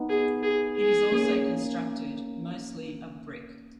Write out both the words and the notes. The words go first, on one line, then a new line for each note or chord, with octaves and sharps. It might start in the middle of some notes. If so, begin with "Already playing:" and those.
It is also constructed mostly of brick.
Already playing: B3 D#4
G#4
G#4
G#4
A#3 C#4